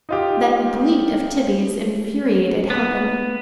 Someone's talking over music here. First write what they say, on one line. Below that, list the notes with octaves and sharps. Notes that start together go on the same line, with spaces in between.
That bleat of Tibby's infuriated Helen.
D#4 F4 G4
B3